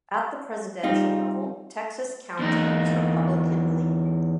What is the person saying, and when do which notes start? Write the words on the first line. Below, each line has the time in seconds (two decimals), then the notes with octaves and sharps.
At the presidential level, Texas County is Republican-leaning.
0.83 G3 C4 D#4 F4
2.40 E2 D#4